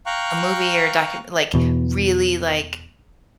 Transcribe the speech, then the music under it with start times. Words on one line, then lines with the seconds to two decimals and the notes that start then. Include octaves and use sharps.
a movie or a docum like really, like,
0.06 F5 G5 A#5 C#6 F#6
1.54 E2 B2